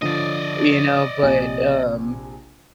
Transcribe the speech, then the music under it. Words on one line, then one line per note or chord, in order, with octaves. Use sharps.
You know, but, um
D3 F3 D5 D#5
A#1 C3 G#5